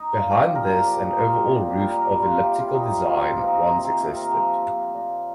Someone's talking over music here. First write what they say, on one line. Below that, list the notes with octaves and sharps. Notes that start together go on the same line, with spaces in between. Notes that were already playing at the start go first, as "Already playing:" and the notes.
Behind this an overall roof of elliptical design once existed.
Already playing: D#4
F4
A#2
G4
F3 A#4
A#4
F3 G4
D#4
A#2 F4
G4
A#2
G4
G3 A#4
G4
A#4
G3
F4
C3 G4
F4
G3 D#4
F4
C3 F4
C4
D#3 A#3
D#4
C4
C3 D#4
C4
C3 C4
A#4
F3
F3
A#2